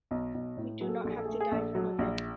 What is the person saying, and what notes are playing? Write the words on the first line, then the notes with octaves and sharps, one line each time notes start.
We do not have to die for living.
B1
B1
A2
F#3 G#4
A4
G#4
A#1 A4
G#4
A4
G#4
A3 A4
G#4
A#1 A4
F#3
A#1